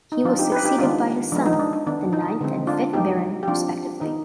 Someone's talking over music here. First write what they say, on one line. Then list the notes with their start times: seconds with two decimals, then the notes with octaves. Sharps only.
He was succeeded by his son, the ninth and fifth Baron respectively.
0.12 D#4
0.25 F3 C4 D4 F4
0.39 D#4 G4
0.52 G4 B4
0.65 D#4 G4
0.78 D#3 G#3 B3 D4 F4
1.32 F3 G#3 B3 D4
1.46 D#4
1.59 D4
1.73 D#4
1.87 D#3 B3 D4
2.13 D#4
2.41 D3 G#3 C4
2.67 D4 F4
2.93 F3 G#3 B3 D#4 G4
3.43 G4
3.48 F3 C4 D4 F4
4.01 D#3 B3 D#4